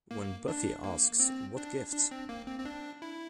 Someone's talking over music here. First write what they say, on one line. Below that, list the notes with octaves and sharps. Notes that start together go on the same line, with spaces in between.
When Buffy asks What gift?
A#3
D4
A#3
C4
D4
D4
C4
A#3
C4
C4
D4
E4